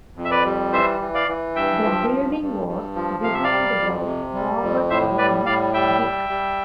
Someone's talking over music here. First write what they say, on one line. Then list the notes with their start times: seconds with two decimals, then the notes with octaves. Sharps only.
The building was designed by Robert Burns Dick.
0.16 F2
0.25 E5
0.31 B4 D5
0.45 G3
0.72 E3 C5 E5
1.00 E3
1.15 D5 F5
1.28 E3
1.56 G2 E5 G5
1.84 F3
2.11 G2
2.40 G2
2.68 G2
2.95 F3
3.23 C3 F5
3.34 E5
3.44 D5 F5
3.51 G3
3.79 F2
4.06 C3
4.34 G3
4.62 F2
4.90 A2 C5 E5
5.18 G3 B4 D5
5.46 A2 D5 F5
5.73 G3 E5 G5
6.02 G3
6.29 G3